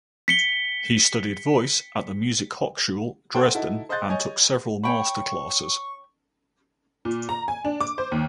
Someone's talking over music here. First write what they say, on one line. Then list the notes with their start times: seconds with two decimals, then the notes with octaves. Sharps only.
He studied voice at the Musikhochschule Dresden and took several master classes.
0.28 B6 C#7 G7
3.35 A4 C5 C#5 F#5 G5
3.55 D#4 E4 F#4 A4
3.89 C5 D#5 C6 F#6 G6 A6
4.10 C#5 D#5 G#5
4.83 C#5 G5 B5 C#6
7.05 A#2
7.29 A#5
7.48 G#5
7.65 D4
7.81 D6
7.98 C5
8.12 D#2